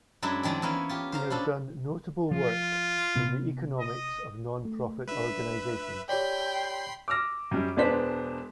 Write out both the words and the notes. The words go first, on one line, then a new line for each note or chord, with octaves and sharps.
He has done notable work in the economics of nonprofit organizations.
F#2 F#3 G#3 D4 E4 E5
F2 D#3 G#3 D5 A#5
E3 A#3 B3 C#4
F4 G4
C5 F5 A#5
B3 C#4 D4 A4
F3 F4
C3 B3
D#5
A3
G#3 D4 B4 E5
G4 C#5 D5 G5 B5 C6 C7
D6 E6 F6 A#6
F#2 G3
E1 G#3 B3 D4 C5 B6